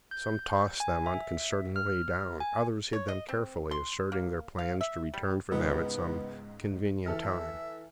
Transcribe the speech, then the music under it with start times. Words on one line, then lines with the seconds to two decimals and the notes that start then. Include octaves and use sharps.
Some tossed them unconcernedly down; others hid them carefully, asserting their plans to return for them at some convenient time.
0.11 G6
0.80 G#5
1.06 E5
1.76 F6
2.40 G#5
2.93 C#5
3.08 D#5
3.29 C4
3.71 C6
4.12 A#3
4.59 F5
4.81 E5
5.14 G3
5.52 C#2 G#2 B3 D#4
7.06 E3 A4 E5 F6